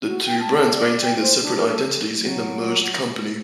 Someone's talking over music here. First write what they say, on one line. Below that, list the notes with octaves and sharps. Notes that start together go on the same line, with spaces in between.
The two brands maintain their separate identities in the merged company.
F#4
G5
A5
D5
G5
C5
D4
A#4
A4
F#3